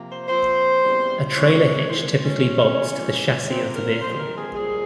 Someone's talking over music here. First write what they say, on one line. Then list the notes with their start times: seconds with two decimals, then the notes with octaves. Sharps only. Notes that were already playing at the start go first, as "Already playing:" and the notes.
A trailer hitch typically bolts to the chassis of the vehicle.
Already playing: C3 F3 A#3
0.11 C5
0.29 A#2 F3 C4 C5
0.83 E2 C#3 G3 C4
1.35 F2 C3 E3 G#3 C4 C#5
1.88 F2 E3 G#3 C5
2.24 C#4
2.42 E2 C#3 F3
2.95 F2 E3 G#3
3.48 G#2 F3 A#3 C4
3.75 A#4
4.01 G2 F3 G#3 C4 C5
4.19 A#4
4.37 G#4
4.55 A#2 G3 C4 G#4